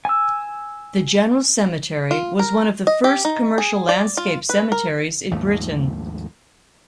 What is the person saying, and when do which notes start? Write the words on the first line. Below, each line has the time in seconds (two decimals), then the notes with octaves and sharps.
The General Cemetery was one of the first commercial landscape cemeteries in Britain.
0.05 G#5 E6
2.11 F4
2.39 A#4
2.87 D#5
3.04 G4
3.25 D#4
3.58 G#4
3.89 D5
4.17 F4
4.49 B4
4.72 A#4
5.31 A#1 D#2 G#2 A3